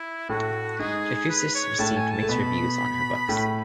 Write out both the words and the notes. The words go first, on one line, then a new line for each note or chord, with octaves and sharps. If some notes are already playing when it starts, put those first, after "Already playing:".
Trefusis received mixed reviews on her books.
Already playing: E4
A2 A3 F#4
G#2 G#3 G#4
B4
C#5
A2 A3 A5
G#5
A5
A3
B2 B3 B5
A2 A3